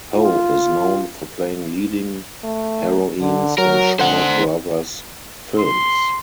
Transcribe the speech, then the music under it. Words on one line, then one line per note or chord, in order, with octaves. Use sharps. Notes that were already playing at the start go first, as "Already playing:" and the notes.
Ho is known for playing leading heroines in Shaw Brothers films.
F4
A3
D3
F#3 A#4
D3 C5 F#5
C6